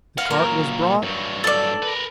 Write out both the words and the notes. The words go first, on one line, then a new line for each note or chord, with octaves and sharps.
The cart was brought.
A#4 F5 F#5
A#2 F#3 A#4
G2 F#3
A4 D5
A#4 B4